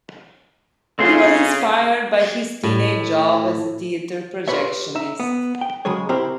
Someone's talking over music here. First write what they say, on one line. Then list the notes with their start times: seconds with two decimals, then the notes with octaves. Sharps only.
He was inspired by his teenage job as a theater projectionist.
0.99 C#3 A3 C4 F4 G#4 C5
2.63 A2
4.48 F4 G4 G#4 B4 C#5 E5
4.95 D#4 E5
5.20 B3
5.61 G5
5.85 C#3 F#3 G#3 G#4 C#5
6.09 C4 E4 G4 A#4 C5